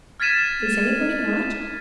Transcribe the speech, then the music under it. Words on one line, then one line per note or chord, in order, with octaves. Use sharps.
"Is anybody hurt?"
F6 G#6 A6 B6 D#7 E7